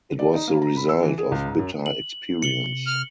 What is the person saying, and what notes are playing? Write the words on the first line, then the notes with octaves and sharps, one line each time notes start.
It was the result of bitter experience.
D5
D#4
A#3
A#5
B5
E6
E3
G#4
C#2
G#2
F#2
F#7
C3 C#7 F#7 G7
F6